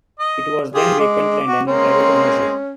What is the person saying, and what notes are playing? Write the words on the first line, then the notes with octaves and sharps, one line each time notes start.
It was then vacant and in private ownership.
D#5
F4 G4 G#4
G#3 D6
F#4
G#3 A#3 C4 C#4